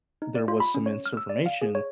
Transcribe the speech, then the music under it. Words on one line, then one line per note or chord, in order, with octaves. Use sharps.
there was some misinformation,
D#4
D5
F4
B5
C#4
C#5
F6
E6
D5
F5
G#4
C#5